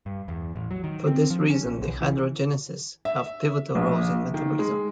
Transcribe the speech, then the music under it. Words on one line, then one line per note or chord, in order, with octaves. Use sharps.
For this reason, dehydrogenases have pivotal roles in metabolism.
G2
E2
A1
F#3
D#3
C4
F3
C#4
A#1
B1
E3
E5
A#1
D#3
G#3